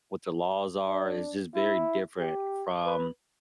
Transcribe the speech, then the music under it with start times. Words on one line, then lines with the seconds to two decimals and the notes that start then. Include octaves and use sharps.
what the laws are. It's just very different from,
0.88 D4
1.55 E4
2.19 G4
2.85 B4